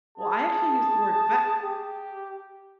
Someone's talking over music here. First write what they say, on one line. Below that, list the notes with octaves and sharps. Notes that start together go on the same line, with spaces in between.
Well, I actually use the word fa
G#4 A5
G4